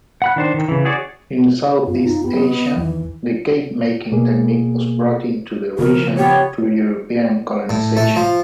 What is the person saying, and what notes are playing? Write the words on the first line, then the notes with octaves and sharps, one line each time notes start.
In Southeast Asia, the cake-making technique was brought into the region through European colonisation.
F#5 B5 F#6
D#3 D4 C5
D#3
C#3 E3
F#4 G#4 C#5 D5
F#2 B3 F4
D#4
B3 G4
D#5
E2 D#3 E3
B2 A#3 G#4
C#3 F3 C4 A#4
B3 G4 C#5
A2
A3
F3